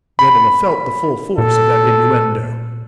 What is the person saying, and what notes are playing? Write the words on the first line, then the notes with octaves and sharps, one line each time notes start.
Romola felt the full force of that innuendo.
B5
A#2 A4